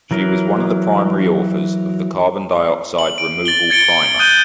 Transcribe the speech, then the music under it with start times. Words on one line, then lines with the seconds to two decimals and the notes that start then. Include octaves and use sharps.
She was one of the primary authors of the Carbon Dioxide Removal Primer.
0.11 E3 F#3 A#4
2.98 F#7
3.18 D7
3.45 A6 F#7 G7
3.70 G#6 A6 C#7 D7 G7
4.19 D#6 F#6 G6 D#7 G7